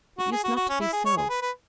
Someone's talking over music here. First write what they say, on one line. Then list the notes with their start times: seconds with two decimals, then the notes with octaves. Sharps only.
It used not to be so.
0.18 F#4
0.32 G#4
0.44 F#4
0.56 F#4
0.69 C#4
0.80 E4
0.93 G#4
1.05 C#5
1.17 G#4
1.29 B4
1.41 B4